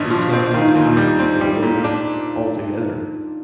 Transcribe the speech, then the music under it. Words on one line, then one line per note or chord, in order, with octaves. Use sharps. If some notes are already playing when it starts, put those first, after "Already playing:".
is something that turns people away altogether.
Already playing: G#1 G2 D4
F3 F4
C4
D#3 F4
D#4
D#2 F4
G3
C4
G3
A#2
D4